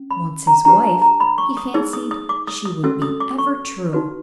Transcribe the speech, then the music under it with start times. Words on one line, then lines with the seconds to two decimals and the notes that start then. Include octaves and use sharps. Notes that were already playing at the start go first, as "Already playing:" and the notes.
Once his wife, he fancied she would be ever true.
Already playing: C#4
0.11 B5
0.47 A#5
0.65 D4 G4 B4 A#5
0.84 A5
1.02 A#5
1.20 B5
1.38 C#6
1.57 D#6
1.74 D#4 G#4 C5 E6
1.93 D#6
2.11 D#6
2.29 D6
2.47 D#6
2.65 D#6
2.83 C#4 F#4 A4 E6
3.02 D#6
3.20 D6
3.39 C#6
3.93 D#4 F#4 B4